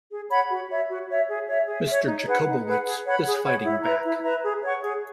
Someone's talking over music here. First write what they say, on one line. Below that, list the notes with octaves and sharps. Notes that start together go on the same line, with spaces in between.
Mr. Jacobowitz is fighting back.
G#4
C#5 F#5 B5
F#4
C#5 E5
F#4
C#5 E5
G#4
C#5 E5
G#4
C#5 E5
D#4
G#4 B4 F#5
D#4
G#4 B4 F#5
G#4
C#5 F#5 B5
G#4
C#5 F#5 B5
E4
B4 E5 A#5
E4
B4 E5 A#5
G#4
C#5 F#5 C#6
G#4